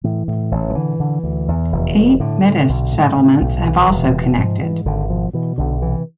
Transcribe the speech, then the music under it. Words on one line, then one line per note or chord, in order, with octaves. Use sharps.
Eight Metis settlements have also connected.
A2 E3
A2
A1
F3
D3 E3
D3
D2
E2
F1
C3
A2 D3
A2
B1
A2
A2
B1
D2 E3
E1
C3
G#2 F3
G#2 E3
G#1 D3
B2 F3
B2 E3
B1 D3
C3 E3